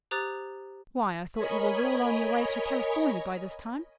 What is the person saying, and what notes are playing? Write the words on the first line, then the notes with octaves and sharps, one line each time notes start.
'Why, I thought you was all on your way to Californy by this time.
G4 C5 A#5 D#6 F#6 A6
A#4 C#5 D#5 G#5 B5